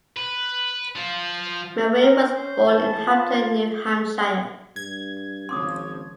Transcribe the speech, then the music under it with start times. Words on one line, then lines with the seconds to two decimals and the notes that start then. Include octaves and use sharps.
Merrill was born in Hampton, New Hampshire.
0.17 B4
0.95 F3 F4
2.00 A#4
2.34 C#4 C5
2.68 E3 A5
3.05 F4
4.76 G2 G#6
5.49 G#1 C#3 F3 C6 D6 D#6